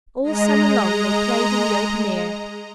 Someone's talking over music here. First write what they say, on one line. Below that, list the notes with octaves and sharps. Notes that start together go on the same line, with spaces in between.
All summer long they played in the open air.
G#3 D#5 A#5